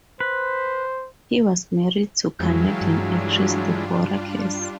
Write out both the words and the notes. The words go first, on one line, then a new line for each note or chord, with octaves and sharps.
He was married to Canadian actress Deborah Cass.
B4 C5
F2 E3 F#3 G#3 F5 G5 A5
G2 G3 D4 F4